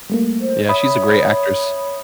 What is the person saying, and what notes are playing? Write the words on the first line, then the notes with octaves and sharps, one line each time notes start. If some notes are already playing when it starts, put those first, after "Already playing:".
Yeah, she's a great actress.
G3 A3 A#3
C5
C#5 E5 B5 D#6